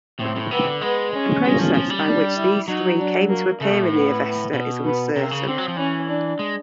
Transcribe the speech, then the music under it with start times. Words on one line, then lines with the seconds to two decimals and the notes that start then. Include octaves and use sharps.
The process by which these three came to appear in the Avesta is uncertain.
0.19 A2 C4
0.36 A2
0.51 C3 B3
0.66 D3
0.81 G#3 B3
1.13 C#4
1.44 G#3
1.59 F3
1.74 F3
1.90 G3
2.06 D4
2.37 E4
2.68 F#3 D#4
2.98 D4
3.29 A#3
3.61 C#3 A3
3.70 B2
3.82 A2
3.92 B3
4.53 B2
4.84 B3
5.16 C3 A#3
5.31 C#3
5.47 D3 C4
5.58 F#3
5.68 F3
5.77 E3 C#4
6.08 D4
6.39 G#3